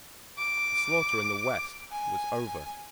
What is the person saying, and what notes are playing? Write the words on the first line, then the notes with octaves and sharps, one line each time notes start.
The slaughter in the West was over.
D6
G#5